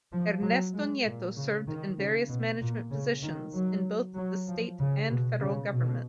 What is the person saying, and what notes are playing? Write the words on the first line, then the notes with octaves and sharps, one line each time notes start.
Ernesto Nieto served in various management positions in both the state and federal government.
F3
F#3
G#3
A#2
C#3
D#3
C#3
B2
A#2
C#3
D#3
F#3
F#3
F3
C#3
B2
C#3
B2